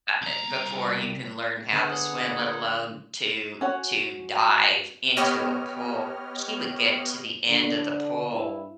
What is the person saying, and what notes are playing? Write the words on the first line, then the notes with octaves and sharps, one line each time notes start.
ah, uh, before you can learn how to swim, let alone to to dive into a pool. She would get to the end of the pool,
C2 A#5
D3 B3 C#4 G#4 F#5
C#4 F#4 C#5
B3 G4 C#5 D#5 F6
D3
G2 E4